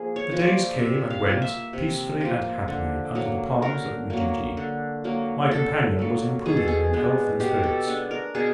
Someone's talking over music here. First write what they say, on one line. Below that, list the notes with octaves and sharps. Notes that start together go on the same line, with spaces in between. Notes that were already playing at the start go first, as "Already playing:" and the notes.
The days came and went peacefully and happily, under the palms of Ujiji. My companion was improving in health and spirits.
Already playing: F3 A#3 G#4
C#5
F3 A#3
C#5
D5
C3 E5
F5
F3 A#3
E5
C3
F3 A#3
D3
F#3 A#3
D3 A#4
F#3 A#3
D3
F#3 A#3
D3 A4
F#3 A#3
B2 G#4
A4
G#4
G#3 B3 D4
B2 G4
A4
G#3 B3 D4
A#4
B2 G#4